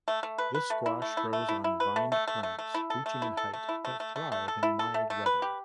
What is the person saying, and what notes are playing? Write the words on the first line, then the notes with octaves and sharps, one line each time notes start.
This squash grows on vined plants reaching in height that thrive in mild weather.
A3
A3
B4
B4
A3
E4
A3
E4
A3
E4
E4
B4
A3
A3
A3
A3
A3
E4
A4
A3
E4
A4
A3
E4
A3
A3
A3
A3
A4
E4
A4
A3
A3
B4
G4